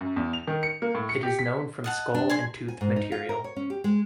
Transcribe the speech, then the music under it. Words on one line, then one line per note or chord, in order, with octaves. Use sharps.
It is known from skull and tooth material.
F#2
E2
F7
D#3
C#7
A#3
A2
C#7
G4
B6
D#5 F#5 A5
D4
G#4 G#5 C6
G#5
G#2
D#4
F4
A#4
C#5
C#4
G4
G#3